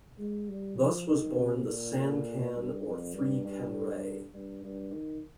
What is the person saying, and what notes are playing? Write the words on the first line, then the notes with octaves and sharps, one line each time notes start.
Thus was born the "San-Kan" or Three "Kanrei".
G#3
G3
F3
D#3
C3
A#2
A#2
G2
F2
G2
G2
G2
G2
D#3